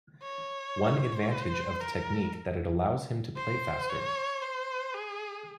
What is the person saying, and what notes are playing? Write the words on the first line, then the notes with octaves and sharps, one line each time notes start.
One advantage of the technique that it allows him to play faster.
C#5
C5
A#4
C5
C#5
C5
G#4